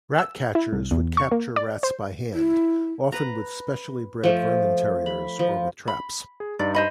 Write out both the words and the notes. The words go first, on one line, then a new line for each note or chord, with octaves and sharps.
Rat-catchers would capture rats by hand, often with specially-bred vermin terriers, or with traps.
E6
E4
C2
E2
C#6
A#3
D5
C5
E4
B4 A#5
F3 A3
B5
F3
B5
G#4
G2 D#4 D5
C5 D#5 B5